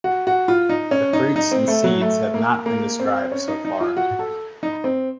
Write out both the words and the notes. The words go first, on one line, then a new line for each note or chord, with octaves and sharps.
The fruits and seeds have not been described so far.
F#4
F#4
F4
D#4
C#4
D#4
D#4
C4
A3
F#3
A3
A#3
A#3
C4
C#4
D#4
D#4
F4
F#4
A4
D#4
C4